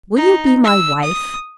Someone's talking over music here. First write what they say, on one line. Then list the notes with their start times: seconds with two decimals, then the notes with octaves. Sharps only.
Will you be my wife?
0.17 D#4
0.65 E6
1.04 D#6